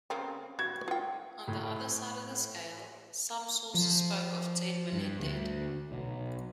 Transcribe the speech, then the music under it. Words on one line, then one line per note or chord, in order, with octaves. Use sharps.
On the other side of the scale, some sources spoke of ten million dead.
C#3 A#3 C4
F#4 G#6
F4 G5
A2
F3
G2
D2
B1